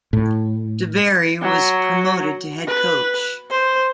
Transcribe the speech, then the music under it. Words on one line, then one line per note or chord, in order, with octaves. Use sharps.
DeBerry was promoted to head coach.
A2
F#3
B4
C5